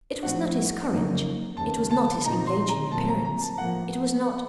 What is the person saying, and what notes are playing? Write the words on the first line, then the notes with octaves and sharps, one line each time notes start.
It was not his courage, it was not his engaging appearance, it was not--.
A2 F3 C4 F#4 F#5
F2 C#3 F#3 A#3 D#4
D#2 C#3 A3 A5
A5
A#2 F3 C4 D#4 A#5
C6
A#5
A#2 F#3 A3 C4 A5
A#5
A#5
A5
A2 F3 A#3 F#5